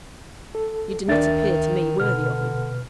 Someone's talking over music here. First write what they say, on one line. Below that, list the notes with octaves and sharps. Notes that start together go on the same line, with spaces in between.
You did not appear to me worthy of him.
A4
D2 D#3 D4 D5 E5 A6
B2 D3 B4 F6